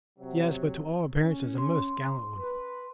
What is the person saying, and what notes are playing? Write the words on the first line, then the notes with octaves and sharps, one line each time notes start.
"Yes, but to all appearances a most gallant one."
C3 F#3
C#4
C6
B4